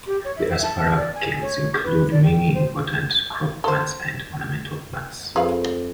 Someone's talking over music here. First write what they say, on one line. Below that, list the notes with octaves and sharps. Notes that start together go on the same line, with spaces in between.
The Asparagales include many important crop plants and ornamental plants.
G4
C#5
E5
A5
D5
G#5
C#5
B4
D5
G5
C5
A4 C5
F2 G#4 B4 F5